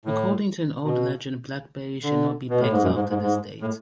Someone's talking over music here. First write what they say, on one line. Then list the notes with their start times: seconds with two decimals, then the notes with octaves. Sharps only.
According to an old legend, blackberries should not be picked after this date.
0.05 A2
0.84 B2
2.03 D3
2.50 B2
2.60 A2
2.72 G#2
2.82 F#2
2.95 G#2
3.09 G#2
3.22 G#2
3.61 A2